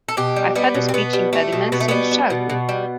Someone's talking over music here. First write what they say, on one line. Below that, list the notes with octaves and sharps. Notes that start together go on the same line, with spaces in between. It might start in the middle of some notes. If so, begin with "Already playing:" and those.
I've had a speech impediment since childhood.
A4
B2 G4
G3
G3 B3
B2
C4
B2 B3
G3
G3 A3
B2
B2 B3
A3
G3 B3
G3
B2
B2
G3